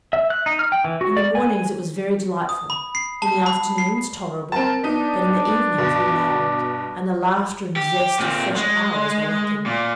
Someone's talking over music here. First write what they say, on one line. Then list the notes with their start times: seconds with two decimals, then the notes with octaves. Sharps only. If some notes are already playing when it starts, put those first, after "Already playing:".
In the mornings it was very delightful; in the afternoons tolerable; but in the evenings we lagged, and the laughter and zest of fresher hours were lacking.
0.13 E5
0.30 F#6
0.46 D#4
0.59 F6
0.72 G5
0.84 E3
1.01 F#4
1.17 D5
1.35 G#5
1.51 G#5
2.49 D#6
2.70 B5
2.95 C7
3.22 A5
3.46 B5
3.78 C7
4.52 C4 A#4 A5
4.83 B3 D4 D#4
5.78 G2 B2
7.76 G4
8.19 A#2 C4
8.56 G#3
9.66 A#2